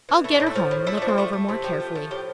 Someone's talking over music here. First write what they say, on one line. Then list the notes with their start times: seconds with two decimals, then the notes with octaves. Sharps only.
"I'll get her home and look her over more carefully."
0.09 E3
0.24 A3 E4
0.36 A2 D4
0.47 E4
0.56 F3
0.71 A2
0.87 A3 E4
0.97 F3 D4
1.08 C4
1.18 A3 D4
1.33 A3
1.49 C3 E4
1.64 F3 G4
1.80 A3 G4
1.95 F3
2.11 A2 G4